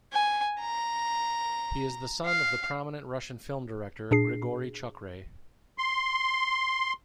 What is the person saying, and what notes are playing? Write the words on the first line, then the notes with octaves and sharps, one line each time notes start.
He is the son of the prominent Russian film director Grigory Chukhray.
G#5
A#5
F5
A#2 D4 G#4 C7
C6